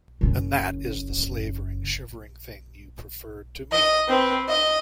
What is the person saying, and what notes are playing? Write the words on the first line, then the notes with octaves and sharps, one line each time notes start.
And that is the slavering, shivering thing you preferred to me!
F#1 C#3
D#5
C4 B4
D#5